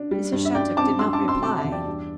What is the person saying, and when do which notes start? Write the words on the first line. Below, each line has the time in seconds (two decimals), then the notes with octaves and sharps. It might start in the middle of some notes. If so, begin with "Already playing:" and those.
Mrs. Shattuck did not reply.
Already playing: D4
0.11 G3
0.33 G2
0.45 E5
0.55 G2 D5 G5
0.77 C4 A5 D6
0.99 G2 C6 E6
1.13 A5 D6
1.21 C4
1.28 C6 E6
1.43 C3 A5 D6
1.58 E5
1.64 E2
1.72 D5 G5
1.87 G2